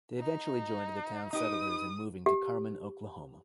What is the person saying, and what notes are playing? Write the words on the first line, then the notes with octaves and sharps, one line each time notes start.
They eventually joined the town's settlers in moving to Carmen, Oklahoma.
D#4
D#4 G4 B4 D#6
G4